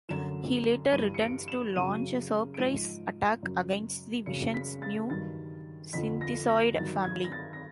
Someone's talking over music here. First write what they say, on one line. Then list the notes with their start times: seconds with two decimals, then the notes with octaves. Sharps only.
He later returns to launch a surprise attack against the Vision's new synthezoid family.
0.09 F#2 D3 F#3 E7
0.92 G2 E3 D#7
1.14 C#7
1.20 D7
1.48 E7
1.76 F#2 C#3 F#3 D#7
2.54 D7
2.59 G#2 F3 D#7
3.43 F#2 C#3 F#3
4.26 F#2 C#3 F#3 C#7
4.54 B6
4.82 A6
5.10 G2 D#3 F#3 A6
5.93 F2 D3 F3 B6
6.21 A#6
6.49 A#6
6.77 G2 D#3 F#3 A6
7.04 G#6
7.24 A#6
7.32 A6
7.53 A#6